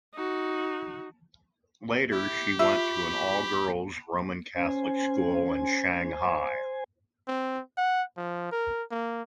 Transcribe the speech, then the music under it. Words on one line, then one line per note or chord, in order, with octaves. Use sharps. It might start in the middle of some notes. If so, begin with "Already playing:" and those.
Later she went to an all-girls Roman Catholic school in Shanghai.
D#4 F#4
E4 G4
F4 E5 B5 C#6 E6
C#4 C5 G#5
C4
F#5
F3
A#4
A#3